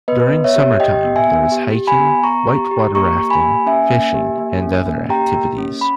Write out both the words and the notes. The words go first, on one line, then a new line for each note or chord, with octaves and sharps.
During summertime there is hiking, whitewater rafting, fishing, and other activities.
B3 B4 D#5
B3
C#5 E5
G4
G4 D#5 G5
B3
E5 G#5
B3
G4
G4
G#5 B5
B3
B3 A#5 C#6
G4
G4
A#3 A#5 C#6
G4
G#5 B5
A#3
C#4 E5 G#5
A#3
G4
A#3
C#4
A#3
G4 G5 A#5
A#3
C#4
B5